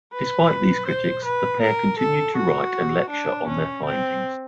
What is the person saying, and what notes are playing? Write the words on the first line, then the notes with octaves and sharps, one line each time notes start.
Despite these critics the pair continued to write and lecture on their findings.
B4
C5
B4
A#4
A4
F#4
D4
C#4
C4